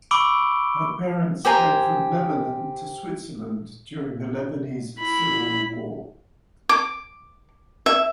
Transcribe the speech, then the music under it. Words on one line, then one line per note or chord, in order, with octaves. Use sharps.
Her parents fled from Lebanon to Switzerland during the Lebanese Civil War.
B5 C#6 D6 E6 D7 G7
G4 C5 G#5 A#5
E4 B5
D6
E5